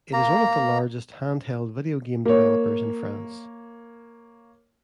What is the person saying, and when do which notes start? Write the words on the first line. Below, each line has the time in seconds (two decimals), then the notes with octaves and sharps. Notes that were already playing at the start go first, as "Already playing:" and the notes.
It is one of the largest handheld video game developers in France.
0.13 A#3 A#5
2.25 A#3 C#5